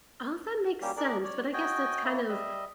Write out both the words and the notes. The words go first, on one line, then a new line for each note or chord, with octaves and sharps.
All that makes sense, but I guess that's kind of,
G3 A#3 C#4 G4
D4 G#4 A#4 D5
C#5 D5
F#4 D#5 G5 G#5
A#3 E4 C#5
G3 D#5 E5